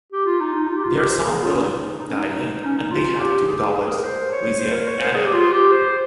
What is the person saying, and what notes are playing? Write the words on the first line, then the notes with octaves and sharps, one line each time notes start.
Their son William died young, and they had two daughters, Louisa and Anna.
G4
F4
D#4
D#4
F4
G4
F4
G4
C5
A#4
G#4
F4
C#4
D#4
D#4
C#4
D#4
C#4
D#4
F4
G4
G#4
G4
G#4
G#4
A#4
C5
C#5
C5
A#4
C#5
C5
G#4
G4
F4
G4
C5